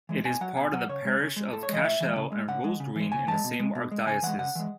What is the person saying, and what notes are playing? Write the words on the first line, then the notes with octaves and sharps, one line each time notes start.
It is part of the parish of Cashel and Rosegreen in the same archdiocese.
E3 G#3
B2 G#5
F#3 F#5
B2 G#5
F#3 F#5
C#3 C#5
G#3
C#3
G#3
A2 A4
C#5
E3 G#3 D#5
A2 E5
E3 G#3
C#3
G#3
C#3 F#5
G#3
C#3
E3 G#3
C#3 G#5
E3 G#3 A5
B2
G#3
B2
G#3
C#3 G#5
E3 G#3 F#5
C#3 F#5
E3 G#3